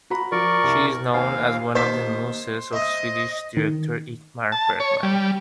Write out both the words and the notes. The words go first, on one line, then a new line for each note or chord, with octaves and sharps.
She is known as one of the "muses" of Swedish director Ingmar Bergman.
F#4 A#5 B5
F3 A#4 D5 C#6
C2
D#2 C5 F5 G#5
D#2 C5 F5 A5 B6
D#5 E5 A#5
D#3
A5
C#5
G3